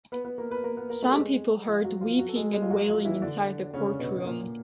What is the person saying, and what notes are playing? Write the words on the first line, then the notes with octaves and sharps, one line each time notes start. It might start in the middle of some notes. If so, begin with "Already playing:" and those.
Some people heard weeping and wailing inside the court room.
B3 B4
B3 B4
A#3 A#4
B3 B4
A#3 A#4
B3 B4
A#3 A#4
A3 A4
G4
G#3 G#4
F3 F4
F#3 F#4
F3 F4
F#3 F#4
A4
G#3 G#4
G#3 G#4
F4
F#3 F#4
F3 F4
E3 E4
D3 D4
C#3 C#4
B2 B3
A#2 A#3